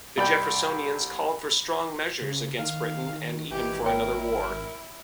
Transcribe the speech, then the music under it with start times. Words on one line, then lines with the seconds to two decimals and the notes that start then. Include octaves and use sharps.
The Jeffersonians called for strong measures against Britain, and even for another war.
0.17 C2 D5 G5 B5
2.21 C#3
2.59 D#3 F5
3.51 G#1 B2 D#3 E3 G4
3.86 E4 A#4 C#5 G5